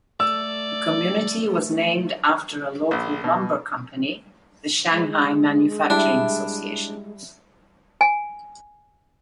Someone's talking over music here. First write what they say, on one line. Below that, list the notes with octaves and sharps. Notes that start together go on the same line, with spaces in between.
The community was named after a local lumber company, the Shanghai Manufacturing Association.
A3 D5 E6
A#1
B2
G#3
G3 D4 E4
G#5